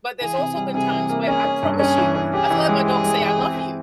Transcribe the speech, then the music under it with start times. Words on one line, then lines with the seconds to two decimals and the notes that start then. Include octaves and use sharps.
But there's also been times where, I promise you, I've heard my dog say, "I love you."
0.20 E3 G#4
0.38 C3
0.56 G3
0.74 C3 G#4
0.92 E3
1.09 A#3
1.27 C#4 G#4
1.45 C#4
1.63 G2
1.79 C#4 G#4
1.98 E3
2.15 C#4
2.33 G4 G#4
2.50 E3
2.69 G#3
2.86 G4 G#4
3.04 G#3
3.21 E3
3.39 C4
3.56 C4